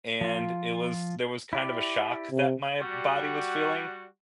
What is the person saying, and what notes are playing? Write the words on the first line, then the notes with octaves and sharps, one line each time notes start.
and it was, there was kind of a shock that my body was feeling.
F3 F4
E4 G4 D5
C3
G3 F#4